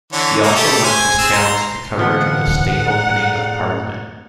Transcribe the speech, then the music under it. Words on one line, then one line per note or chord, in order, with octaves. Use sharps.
He also lent his talents to coverage of the State Opening of Parliament.
D3 E3 C#5
A#3 D#4 E4
A3 G4
C5 G#5
C4 G#4 E6
A#5 C6
F2 A2 D3 E3 F3 B3 F#5
G#4 D5 A#5